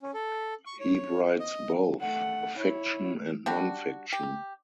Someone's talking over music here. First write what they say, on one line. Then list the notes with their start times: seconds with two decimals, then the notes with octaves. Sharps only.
He writes both fiction and non-fiction.
0.03 C#4
0.14 A4
0.66 C#6
0.80 C#5
1.40 D#5
2.01 A3 F#5
2.58 E4 C#5
3.46 G3 D4 F#4
4.13 G4